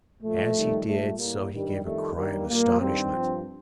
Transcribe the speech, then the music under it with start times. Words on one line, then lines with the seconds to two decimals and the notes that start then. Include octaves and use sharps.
As he did so he gave a cry of astonishment.
0.21 A#2 F3 A3
0.54 F2 D#3 G3
0.86 A#2 G3 A3
1.18 A2 G3 A#3
1.51 G2 D#3 G3
1.83 F2 D#3 G3 A3
2.15 G2 D#3 G3 A#3
2.48 A#2 G3 A#3
2.80 G2 D#3 G3 C4
3.13 G2 F3